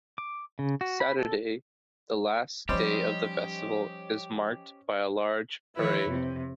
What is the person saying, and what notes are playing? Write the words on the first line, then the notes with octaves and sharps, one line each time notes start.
Saturday, the last day of the festival, is marked by a large parade.
D6
C#3
F#4
B5
A4
F3 G3 C#4 D#4 G4 C5 D#5
D#3 F3 E4 B4 C#5
F2 C3